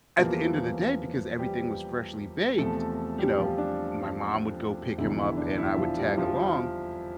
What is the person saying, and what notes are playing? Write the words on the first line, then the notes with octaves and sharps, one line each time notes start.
at the end of the day, because everything was freshly baked, you know, my mom would go pick him up and I would tag along,
E2 E3 F3 G3 A#3 F4
G3 G4
E2 C3 F3 A3 A4
G3 G4
F3 F4
D4
F1 E2 D3 E4
E4
D4
E4
F3 F4
G3 G4
F3 F4